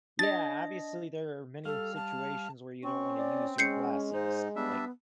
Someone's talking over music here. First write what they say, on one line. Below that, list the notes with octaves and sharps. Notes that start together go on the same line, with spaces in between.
yeah, obviously there are many situations where you don't wanna use your glasses, like
D4 D#5 A6
G3 A4 F5 F6
A5
C4 C#4 C#6
D5
G#3 C#4 G6 C7 C#7
G#2 D#4 C5
G3 B3 D4 E5